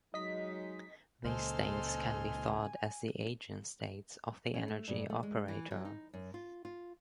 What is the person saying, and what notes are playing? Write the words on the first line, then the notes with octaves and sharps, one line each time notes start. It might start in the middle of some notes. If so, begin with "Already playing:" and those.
These states can be thought as the eigenstates of the energy operator.
F#3 G#3 D#4 D#5 B6
C#2 A#2 A4 C5 D#5 G#5 C6 F6
C#4
A3
G2
A3
G#3
E3
F#3
D#4
F#2
F4
F4